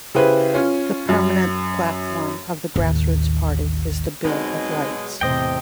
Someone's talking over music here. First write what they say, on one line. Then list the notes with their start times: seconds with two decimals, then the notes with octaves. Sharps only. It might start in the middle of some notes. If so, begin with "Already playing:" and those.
The permanent platform of the Grassroots Party is the Bill of Rights.
0.14 C#3 E4 G4 G#4 B4 C5
0.54 C#4 F4
1.09 F#2
2.76 A1 D#2
4.25 B2 F#3 G#3 C4 D#4
5.21 E2 A2 C3 C5 D#5 G5